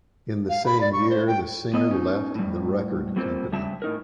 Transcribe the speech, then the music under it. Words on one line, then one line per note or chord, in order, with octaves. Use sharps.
In the same year the singer left the record company.
F5
B5
D5
C#6
C5
G5
B3 A4 D#5
C#4 D#4
A2 G3
G3 A#3 C4 F4 A4 C5
G2 C#3 G3 E5 A5
A2 D#4 A#4